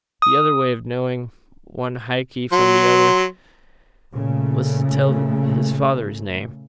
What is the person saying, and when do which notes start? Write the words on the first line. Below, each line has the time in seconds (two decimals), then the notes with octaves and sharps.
The other way of knowing one Haki from the other was to tell his father's name.
0.22 D#6
2.52 F#3 C6
4.15 A#2 C#3 A3